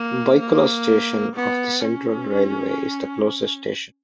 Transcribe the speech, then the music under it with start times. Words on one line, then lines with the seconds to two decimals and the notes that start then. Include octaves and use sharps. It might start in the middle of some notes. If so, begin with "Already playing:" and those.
Byculla station of the Central Railway is the closest station.
Already playing: A#3
0.40 A#3
1.36 B3
1.85 C#4